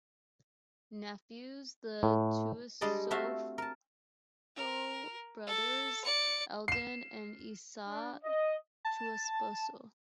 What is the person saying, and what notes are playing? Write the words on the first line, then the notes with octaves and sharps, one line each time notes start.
Nephews "The Tuiasosopo Brothers" Eldon and Isaiah Tuiasosopo.
A2
G3 G#3 D4 D5 D#5
A3 C4 F#4 E5 F5 A5
A#4 A5
A#4
A4
D5 C#7
C7 E7
D4
D#5
A5